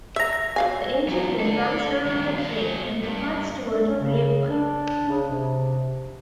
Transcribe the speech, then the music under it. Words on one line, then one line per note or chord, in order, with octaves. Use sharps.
The engine then runs around the train, and departs toward Grapevine.
E5 A#5 E6 A#6
A#6
F#3 F5 G#5
E2 F#3
D4 A4
G2 D#3
B2 F5
G2
D4
C#4
C#3
D4
C#3
C3